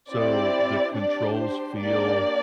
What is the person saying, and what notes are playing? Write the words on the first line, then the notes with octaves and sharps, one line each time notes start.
so the controls feel
C4 E4 G4 D5
D4 G4 D5
C5
A#3 D4 G4 D5